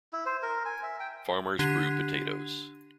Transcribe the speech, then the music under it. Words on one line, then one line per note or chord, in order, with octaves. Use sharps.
Farmers grew potatoes.
E4
C5
A#4
G#5
E5
G5
D3 D4 G4 G#6 C7 D#7